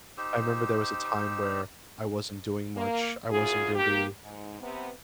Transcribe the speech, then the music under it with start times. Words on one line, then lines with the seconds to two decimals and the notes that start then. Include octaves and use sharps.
I remember there was a time where I wasn't doing much, I wasn't really
0.18 D#4 G4 C5 E6
2.76 A#3
3.31 F#2 F4 G#4
3.75 A#3 G4
4.22 G#2
4.61 C3 B3